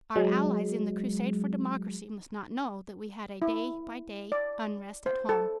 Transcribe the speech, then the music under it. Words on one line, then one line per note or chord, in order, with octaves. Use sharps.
Our allies in the crusade for democracy must not know that we had a day-by-day unrest at home.
F#3 G#3
E4
D5
C5
A4